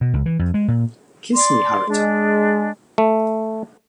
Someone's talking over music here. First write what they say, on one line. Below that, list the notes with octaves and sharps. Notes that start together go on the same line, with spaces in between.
Kiss me, Hareton!
B2
C#2
E3
F2
G#3
A#2
D5 C6 D6
G#3 D4
A3